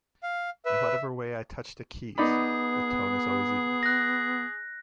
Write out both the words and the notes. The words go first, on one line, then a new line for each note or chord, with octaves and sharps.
In whatever way I touch the keys, the tone is always even.
F5
B4 E5
B3 D#4 G#4 D5 B5
F#6 A#6